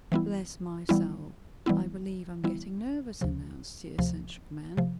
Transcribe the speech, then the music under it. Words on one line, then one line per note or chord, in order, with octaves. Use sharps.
"Bless my soul, I believe I'm getting nervous," announced the eccentric man.
E3 G3 B3 E4
E3 G3 B3 E4
E3 G3 B3 E4
E3 G3 B3 E4
D2 C3 F3
D2 C3 F3
C3 F3